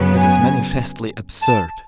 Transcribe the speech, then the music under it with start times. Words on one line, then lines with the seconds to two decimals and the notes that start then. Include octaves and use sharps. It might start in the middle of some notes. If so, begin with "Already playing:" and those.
That is manifestly absurd.
Already playing: F#2 C#3 F#3 B3
0.17 G#5
1.42 A5